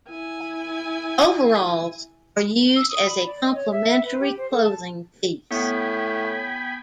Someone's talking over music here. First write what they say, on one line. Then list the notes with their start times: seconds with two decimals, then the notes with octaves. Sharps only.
Overalls are used as a complementary clothing piece.
0.10 E4 G#5
2.76 E6
2.88 D#6
3.06 B5
3.26 D5
3.43 D#5
3.55 C#5
3.71 E5
4.05 B4
4.20 G4
4.37 C5
4.51 A4
4.63 A5
5.51 A2 B3 G5 G#5 B5